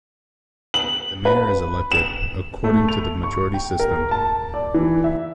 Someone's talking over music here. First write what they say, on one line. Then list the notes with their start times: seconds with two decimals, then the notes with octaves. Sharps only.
The mayor is elected according to the majority system.
0.74 F#7
1.25 B4
1.92 E7
2.64 A3
2.89 F7
3.23 C#6
3.54 G5
3.80 A#4
4.11 A5
4.54 D5
4.74 E3
5.04 E5